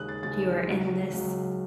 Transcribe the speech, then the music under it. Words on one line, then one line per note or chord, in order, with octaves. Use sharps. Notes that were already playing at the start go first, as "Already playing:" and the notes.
you are in this
Already playing: D#2 C#3 G#3 D#6 F#6
A6
D#2 C#3 G#3 A6
C#2 C#3 F#3
C#2 C#3 F#3